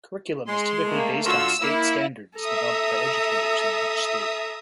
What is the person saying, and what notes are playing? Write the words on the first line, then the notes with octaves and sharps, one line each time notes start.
Curriculum is typically based on state standards developed by educators in each state.
G#3 C6
A3 A#3
D3 F4 F#4 E6
A#3 E4
A4 E5 A#5 D#6